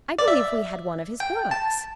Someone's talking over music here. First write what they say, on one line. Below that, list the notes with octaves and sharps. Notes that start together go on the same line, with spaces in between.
I believe we had one of his books.
D5
E5
G5
A5